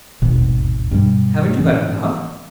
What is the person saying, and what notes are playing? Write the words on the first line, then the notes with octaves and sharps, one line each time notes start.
"Haven't you got enough?"
D#1 G#1 E2 B2
G2 B2 G3
E3 C#4